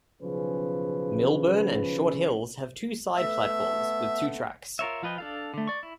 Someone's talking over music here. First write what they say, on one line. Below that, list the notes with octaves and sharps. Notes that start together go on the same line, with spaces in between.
Millburn and Short Hills have two side platforms, with two tracks.
B1 C#3 F3 C#4 G#4 B4
A3 B3 E5
F4 A#4 C#5 E5
F3 F4 B4 D#5 G5
D4 A4 F5
D3 A3
D5 C#6
E4